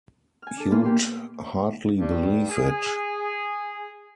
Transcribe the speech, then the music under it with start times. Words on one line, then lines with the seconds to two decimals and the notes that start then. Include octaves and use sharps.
You'd hardly believe it.
0.42 G#5 F6
0.57 D4 A4
0.71 A#2 E3 B3 B5 C6 F6
0.84 A#3 G4 C6
1.99 G2
2.50 G#4